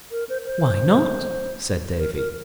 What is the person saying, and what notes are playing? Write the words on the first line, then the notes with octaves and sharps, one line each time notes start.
"Why not?" said Davy.
A#4
C5
C5
A#4
A#4